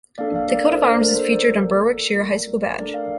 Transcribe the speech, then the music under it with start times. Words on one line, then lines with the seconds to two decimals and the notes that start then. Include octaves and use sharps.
The coat of arms is featured on Berwickshire High School badge.
0.18 A#3 D4 A4 D5 F5
0.34 D5 F5
0.50 A#4 D5
0.67 A4 C5
0.83 A#3 D4 A4 A#4
0.92 D5
1.00 A4 C5
1.15 A4 C5
1.31 A#4 D5
1.49 A#3 F4 A4
2.14 A#3 F4 A4
2.78 A3 D4 A4 A#4 D5
2.94 D5 F5